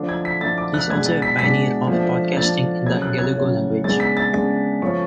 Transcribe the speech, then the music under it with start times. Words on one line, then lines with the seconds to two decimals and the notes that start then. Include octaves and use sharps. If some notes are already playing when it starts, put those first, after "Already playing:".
He is also a pioneer of podcasting in the Galego language.
Already playing: D3 F3 A3 D4
0.09 G#6
0.25 B6
0.40 D3 F3 A3 D4 A6
0.58 D6
0.74 F#6
0.90 B2 G#3 D4 G#6
1.06 A6
1.22 B6
1.39 B2 G#3 D4 B6
1.87 F3 A3 D4
2.37 F3 A3 D4 A6
2.86 C#3 F#3 A3 C#4 G#6
3.02 F#6
3.18 G#6
3.34 C#3 F#3 A3 C#4
3.84 C#3 G#3 B3 D4 A6
4.00 B6
4.17 A6
4.33 C#3 G#3 B3 D4
4.82 F3 A3 C#4 C#6